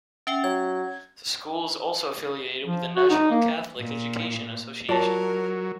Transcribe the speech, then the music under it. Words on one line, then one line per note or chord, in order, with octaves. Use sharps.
The school is also affiliated with the National Catholic Education Association.
C#4 E5 G5
F#3 G#6
F3
F#4
D#4
A#3
A#2
F#3 F4 A#4 C#5 D5 A5